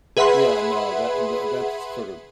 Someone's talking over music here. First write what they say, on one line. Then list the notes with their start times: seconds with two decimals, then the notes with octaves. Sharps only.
Yeah, no, tha and tha that's sort of
0.17 G#4 B4 E5 F#5 B5 C6